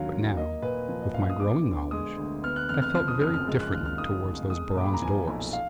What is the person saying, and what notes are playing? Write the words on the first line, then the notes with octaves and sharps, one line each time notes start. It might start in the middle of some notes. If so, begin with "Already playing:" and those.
But now, with my growing knowledge, I felt very differently towards those bronze doors.
Already playing: D#2 D3 F#3 F5
D#2
A#3 D#5
A#2 B4
F3
D#5
A#1 F5
D#6
B3 D6
D3
G#3 D#6
D2
B3 F6
F#6
F2 F6
F6
F3 F6
D#6
F#1 F6
F6
G#3 F6
F#6
D#2 F6
F6
D#3 D#6
F1
G#3 D#6
A#2 D6
B5
A#5
F3 G#5
B1
F5